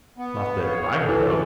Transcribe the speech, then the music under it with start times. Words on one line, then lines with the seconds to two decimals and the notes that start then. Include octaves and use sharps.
Not that I heard of.
0.18 B3
0.60 C#5 F5
1.04 E3 A4 B4